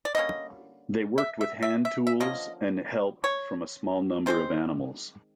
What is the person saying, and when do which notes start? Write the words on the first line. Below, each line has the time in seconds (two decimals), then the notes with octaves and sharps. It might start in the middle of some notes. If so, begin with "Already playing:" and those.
They worked with hand tools and help from a small number of animals.
0.05 D5
0.15 D3 G3 A#3 C#4 D#5
1.18 E5
1.41 E5
1.63 E5
1.85 E5
2.07 E5
2.20 D3 F3 A#3 C#4 D#5
3.24 C#5
4.26 D#3 G#3 C4 C5